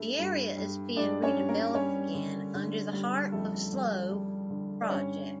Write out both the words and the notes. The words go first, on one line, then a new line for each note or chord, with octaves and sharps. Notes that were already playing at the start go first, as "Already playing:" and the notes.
The area is being redeveloped again, under the Heart of Slough project.
Already playing: G2 A3
G2
G2
G2 D4 D5
C#4 C#5
G2
A#3 A#4
G3 C#4 C#5
D3
D3
G3
F2 A3 A4
G3
G3
D3
D5
G2 C#4 C#5